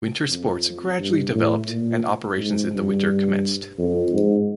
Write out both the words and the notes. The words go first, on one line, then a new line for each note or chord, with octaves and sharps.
Winter sports gradually developed and operations in the winter commenced.
F2
G2
A2
A#2
G#2
G2
F2
G#2